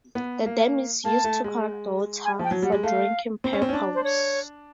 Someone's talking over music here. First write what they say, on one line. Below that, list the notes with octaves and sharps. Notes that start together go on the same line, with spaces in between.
The dam is used to collect water for drinking purpose.
B3
A#3
A#3 A5
A3
G#3
G#5
F3 G5
F#3
G3 F#5
G#3
A3 F5
C4
C#4
C4
C#4
D4
C5
C#5